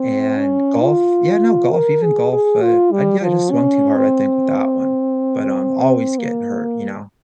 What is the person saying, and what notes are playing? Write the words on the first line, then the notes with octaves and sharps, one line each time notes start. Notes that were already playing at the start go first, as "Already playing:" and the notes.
and golf yeah, no golf, even golf, uh, I yeah I just swung too hard, I think with that one, but I'm always getting hurt, you know,
Already playing: C4
C#4
F4
A#4
G#4
G#4
F4
G3
F3
C#4
C4
A#3